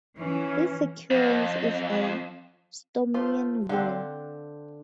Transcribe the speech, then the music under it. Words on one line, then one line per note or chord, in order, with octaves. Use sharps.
This sequence is a Sturmian word.
E3 C#4
F2
A3 F4 C5
D3 C4 D4 F5